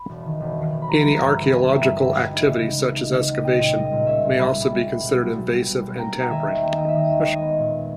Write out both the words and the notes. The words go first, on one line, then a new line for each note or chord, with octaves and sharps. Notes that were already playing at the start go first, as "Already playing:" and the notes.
Any archaeological activity, such as excavation, may also be considered invasive and tampering.
Already playing: B5
E1
D#3
E1
D#2
E1
B5
E3 A#5 C#6
G3
A#5
G2 G#5 B5
G1
E3 G#5 B5
G3 E5
G5
G2 E5 G#5
G1
G#3 E5 G#5
D#4
C#3
C#2
G#3
D#4
C#3
C#2
C#4 D#5 G5
A#2
G3 D#5
A#2
C#4 C#5 E5
A#2
G3 G#5 B5
A#2
G3
B3
B2
B1
G3
B3
B2
B1
A#3 G5 A#5
D#4
A#5
D#3 E5 G#5
D#2
A#3 G5
E5
D#4 D#5 G5
E5
D#3 D#5
D#2
C#5
G#3 D#5
B3
A#2